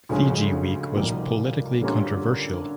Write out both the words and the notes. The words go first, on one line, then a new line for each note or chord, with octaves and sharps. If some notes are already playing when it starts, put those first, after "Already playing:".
Fiji Week was politically controversial.
D2 C#3 F3 G#3 C#4
C2 A#2 F3 A#3 D#4
D3 G3 A#3 C#4 F4